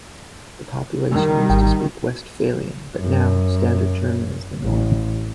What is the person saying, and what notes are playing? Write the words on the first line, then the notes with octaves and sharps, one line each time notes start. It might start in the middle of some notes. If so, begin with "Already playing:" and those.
The population used to speak Westphalian, but now standard German is the norm.
D#3 G3
G#1 G5
F#2
A1